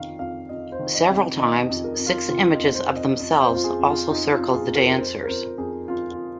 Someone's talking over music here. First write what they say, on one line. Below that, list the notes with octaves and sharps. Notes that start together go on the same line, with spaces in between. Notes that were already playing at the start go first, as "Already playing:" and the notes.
Several times six images of themselves also circle the dancers.
Already playing: F2 D#3 F5
F2 F5
F2 D#5
C5
D#3
D#5
C3
D#3 D#5
D#5
F2
A#4
F2
F4
D#3 F4
D#5
F2
C5
F2
D#5
F2 D#5
C5
F2
F4
G#4
F2
F4
F2 D#4
F4
F2
G#4
F2
A#4
F2 C5
A#4
F2 C5
F2 G#4
F2 F4
F4